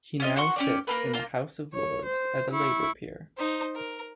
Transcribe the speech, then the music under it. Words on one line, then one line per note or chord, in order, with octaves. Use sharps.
He now sits in the House of Lords as a Labour peer.
C#4 F4 D#5
F#4 F#5 C6 C#6
C#4 G4 D5
A#3 A#4 B4
A#3 F4
C#5
C5
E4 C#6
D#4 C5
A#4